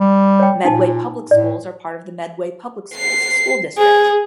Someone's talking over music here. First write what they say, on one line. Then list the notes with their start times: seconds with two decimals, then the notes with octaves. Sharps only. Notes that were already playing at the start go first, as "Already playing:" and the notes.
Medway Public Schools are part of the Medway Public Schools school district.
0.01 G3
0.40 C#5 G5
0.65 A#2 D#4 G#5 A5
1.31 A2 D5
2.94 C7
3.78 G#4